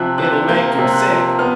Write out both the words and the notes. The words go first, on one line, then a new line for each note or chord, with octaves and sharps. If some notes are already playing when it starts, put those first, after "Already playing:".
"It'll make him sick."
Already playing: C3 F3 F#6
C3 F#6
A#3 G6
C3
F#6
F3
B3 F6